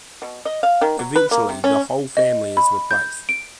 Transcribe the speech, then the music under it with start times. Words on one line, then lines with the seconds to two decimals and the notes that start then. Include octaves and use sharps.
Eventually, the whole family is replaced.
0.22 B2
0.45 D#5
0.63 F5
0.81 D#3
0.99 F#3
1.16 B4
1.31 A#3
1.49 C3
1.64 C#4
2.17 D#5
2.57 B5
2.91 G6
3.29 D7